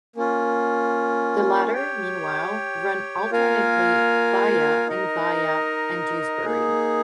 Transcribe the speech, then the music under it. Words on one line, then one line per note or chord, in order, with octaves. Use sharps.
The latter meanwhile run alternately via and via and Dewsbury.
A#3 C#4 F4
G4 C#5 G5
A#3 F4 A#4 F5 G#5
D#4 A#4 D#5
A#3 D#4 G#4